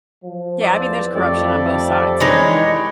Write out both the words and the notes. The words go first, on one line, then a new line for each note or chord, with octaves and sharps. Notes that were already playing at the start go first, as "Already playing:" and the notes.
Yeah. I mean, there's corruption on both sides,
F3
E2 C4 D5
F2 G3 A3 D5
E3 G#3 D4 D#4 G4 C#5